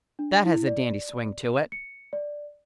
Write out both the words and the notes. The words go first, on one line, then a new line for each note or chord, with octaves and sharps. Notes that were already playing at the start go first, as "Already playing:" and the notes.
"That has a dandy swing to it."
D4
E4
D5
C#7
D5